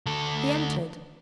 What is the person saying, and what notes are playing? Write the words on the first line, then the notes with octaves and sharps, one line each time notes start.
He entered.
D2 A4